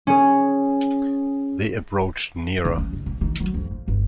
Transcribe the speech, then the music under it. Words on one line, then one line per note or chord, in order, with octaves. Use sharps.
They approached nearer.
C#4 G#4
D#3
C#4
F#1
A#2
D#3
F#3
F2
A#2
G1